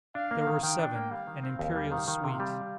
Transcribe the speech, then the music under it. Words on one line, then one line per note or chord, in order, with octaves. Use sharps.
There were seven--an imperial suite.
D4 F5
A#3
D#3
D#3 G5
D4
A#3
G3 F5
D#3
C4
D#2 F5
G3
D#3
D#3
C3
G3